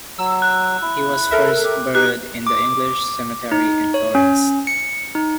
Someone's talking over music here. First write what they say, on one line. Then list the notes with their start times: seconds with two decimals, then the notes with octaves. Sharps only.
He was first buried in the English Cemetery in Florence.
0.18 F#3 E6
0.42 F#6
0.82 E4
1.31 A4 A#4 E5
1.64 G4
1.95 D#4 G4 F#6
2.47 D6
3.52 D#4
3.94 C#5
4.15 C#4
4.67 C#7
5.15 D#4